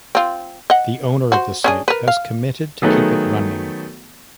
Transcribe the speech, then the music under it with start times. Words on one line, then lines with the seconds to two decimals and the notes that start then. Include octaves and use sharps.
The owner of the site has committed to keep it running.
0.15 C4 F4
0.70 D#5 F#5
1.32 F#4 C5
1.64 C#4 D4 G#4
1.88 A#4 B4
2.08 F5
2.82 D#3 F#3 A3 B3 G#4 A4